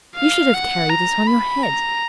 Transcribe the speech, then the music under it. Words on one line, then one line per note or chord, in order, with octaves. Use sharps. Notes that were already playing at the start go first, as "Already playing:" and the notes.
You should have carried it on your head.'
F5
F#5
A#5
B5
A#5